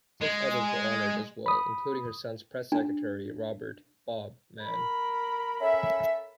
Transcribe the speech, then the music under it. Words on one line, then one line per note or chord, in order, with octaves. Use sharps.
Six others were honored as well, including her son's press-secretary, Robert "Bob" Mann.
G#3
B5 D#6
D4
A#4 B5
C#4 A4 E5